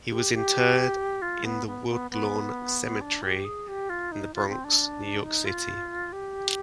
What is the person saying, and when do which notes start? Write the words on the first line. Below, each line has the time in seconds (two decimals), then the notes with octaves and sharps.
He was interred in the Woodlawn Cemetery in The Bronx, New York City.
0.10 G4
0.34 G4
1.22 F4
1.45 B3
1.67 B3
1.89 B3
2.11 B3
3.01 D4
3.22 G4
3.45 G#4
3.68 G4
3.90 F4
4.12 D#4
4.35 F4
4.49 C4
4.64 D4
5.24 D#4
5.46 F4
6.12 G4